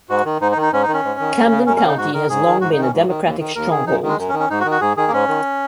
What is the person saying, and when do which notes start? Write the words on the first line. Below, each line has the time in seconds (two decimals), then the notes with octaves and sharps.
Camden County has long been a Democratic stronghold.
0.09 G#2 F#4
0.25 D#3
0.41 G#2 D#4
0.52 D#4
0.57 D#3
0.62 D#4
0.72 G#2 C#4
0.83 D#4
0.88 D#3
0.93 C#4
1.04 G#2
1.20 D#3
1.35 F#2
1.51 C#3
1.66 F#2 C#4
1.77 C#4
1.83 C#3
1.88 D#4
1.98 G#2 F#4
2.13 D#3 A#4
2.29 G#2 G#4
2.45 D#3
2.61 G#2 F#4
2.71 D#4
2.77 D#3 C#4
2.93 G#2
3.08 D#3
3.24 D#2
3.40 D#3
3.55 D#2 A#4
3.71 D#3 G#4
3.87 F#2 D#4
4.03 D#3 G#3
4.18 F#2
4.29 C#4
4.33 D#3
4.39 C#4
4.50 G#2 D#4
4.60 F#4
4.65 D#3
4.71 F#4
4.81 G#2 G#4
4.97 D#3 G#4
5.08 A#3
5.12 G#2 C#4
5.28 D#3